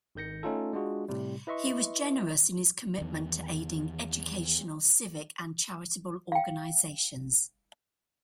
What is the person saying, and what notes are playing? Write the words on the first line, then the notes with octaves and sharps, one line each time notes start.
He was generous in his commitment to aiding educational, civic and charitable organizations.
G#1 D#3 G6 A#6 C#7
A3 C#4 D#4 F4 A4
G#3 D4 F4 F#4 G#4
A2 C3 G3
E4 B4 D#5 E5 C6 C#6
E2 D#3
F5 G5